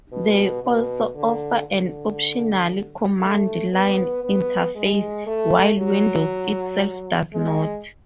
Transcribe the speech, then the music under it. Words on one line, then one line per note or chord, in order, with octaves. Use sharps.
They also offer an optional command-line interface, while Windows itself does not.
B2
B2
D3
D3
A3
B3
B3
G#3
A3
F#3
G#3